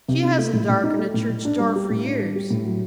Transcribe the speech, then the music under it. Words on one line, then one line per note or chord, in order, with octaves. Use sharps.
She hasn't darkened a church door for years.
C3
D#4
A3
A2
A2
D#4
A3
A2
A2
D4
G3
G4
A2
D4
G3
G4
A2
F#3